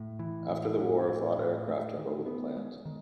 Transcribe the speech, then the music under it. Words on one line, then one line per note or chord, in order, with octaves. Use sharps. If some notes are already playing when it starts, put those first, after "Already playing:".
After the war, Vought Aircraft took over the plant.
Already playing: A2
E3
A2
A2
A2
A2
A3
D#3
B3
G#3
D#3